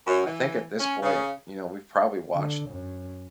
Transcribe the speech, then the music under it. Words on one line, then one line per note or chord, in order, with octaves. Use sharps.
I think at this point, you know, we've probably watched
F#2
E3
C#4
C#3
D3
F#2